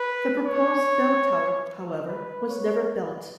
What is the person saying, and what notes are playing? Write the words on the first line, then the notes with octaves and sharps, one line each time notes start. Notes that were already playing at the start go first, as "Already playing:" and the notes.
The proposed bell tower, however, was never built.
Already playing: B4
C#5
B4
C#5